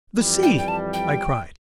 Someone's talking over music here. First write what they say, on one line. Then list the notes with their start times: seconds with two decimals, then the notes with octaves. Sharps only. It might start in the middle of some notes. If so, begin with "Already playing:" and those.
"The sea!" I cried.
0.16 F2 E3 G3
0.43 G5
0.58 G5
0.68 A5
0.93 G5